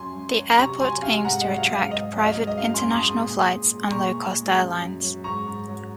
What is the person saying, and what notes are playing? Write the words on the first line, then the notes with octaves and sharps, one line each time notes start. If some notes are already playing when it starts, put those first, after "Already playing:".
The airport aims to attract private international flights and Low-cost airlines.
Already playing: F#2 G#5 C6
F#2
F#3
C3 A#5 C#6
F#3 G#5 C6
C3 F5 G#5
G#2 F#5 A#5
D#5 F#5
F#3
F5
G#2
F5
G#2 D#5
F#3
F5
D#5
G#2
D#5
F#2 F5
G#5 C6
F#2
C6 D#6
G#3
C6 D#6
A#2
A#2
G#3
A#2 A#5 C#6
A#2
G#3
F#2
F#2
F#3
G#2 A#5 C#6
G#2
F#3